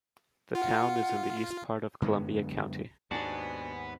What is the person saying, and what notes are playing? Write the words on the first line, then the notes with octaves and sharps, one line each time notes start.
The town is in the east part of Columbia County.
F4 F#5
F#2 D3 G#3 B3
D#2 G#2 B3 D4 F#4 D5 G#5